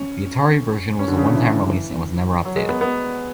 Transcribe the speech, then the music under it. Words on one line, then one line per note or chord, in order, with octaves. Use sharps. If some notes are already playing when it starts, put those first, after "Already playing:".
The Atari version was a one time release and was never updated.
Already playing: C#4
C#4
D3
C#3
D3
E3
F#3
G#3
B3
B3